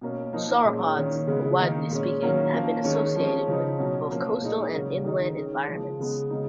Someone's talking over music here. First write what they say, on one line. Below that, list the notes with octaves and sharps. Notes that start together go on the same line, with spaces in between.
Sauropods, widely speaking, have been associated with both coastal and inland environments.
B2 A#3 C#4
F3 A#3 D#4
A#2 G#3 C#4
D#3 A#3 C#4
C#3 G#3 B3
D#3 A#3 D#4
A#2 G#3 C#4
D#3 F#3 A#3 C#4
F3 A#3 C#4
D#3 G#3 C#4
F3 G#3 C#4
C#3 F3 G#3 D#4
B2 F#3 C#4
F3 A#3 C#4
A#2 G#3 D#4
C#3 F#3 A#3 C#4
D#3 G#3 D#4
D#3 G#3 C#4
C#3 F3 G#3
C#3 G#3 B3
C#3 G#3 B3 D#4